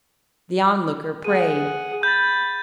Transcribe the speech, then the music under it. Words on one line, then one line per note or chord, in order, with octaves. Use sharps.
The Onlooker prayed.
G#4 F#5 D#7
B5 G6 A6